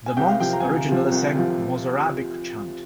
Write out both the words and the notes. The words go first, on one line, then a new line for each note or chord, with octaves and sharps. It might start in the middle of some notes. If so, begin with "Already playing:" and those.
The monks originally sang Mozarabic chant.
G#5
C2 G5
F5
C3 F3 G5
A#5
G#5
C2 G5
C3 F3
C2
C3 F3